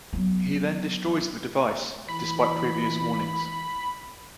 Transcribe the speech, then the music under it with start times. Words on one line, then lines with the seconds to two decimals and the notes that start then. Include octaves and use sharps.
He then destroys the device, despite previous warnings.
0.13 F#3 B3
2.08 E3 B5